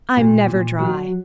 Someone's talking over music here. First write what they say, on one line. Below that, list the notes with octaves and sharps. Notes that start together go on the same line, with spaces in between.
I'm never dry.
A#2
A#2
F#3